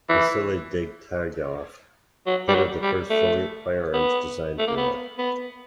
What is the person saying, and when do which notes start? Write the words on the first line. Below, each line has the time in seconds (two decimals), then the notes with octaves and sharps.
Vasily Degtyaryov headed the first Soviet firearms design bureau.
0.09 E3
2.27 F#3
2.49 G3
2.55 F#3
2.82 G3
3.10 A3
3.93 B3
4.59 A3
4.67 A#3
4.77 B3
5.18 B3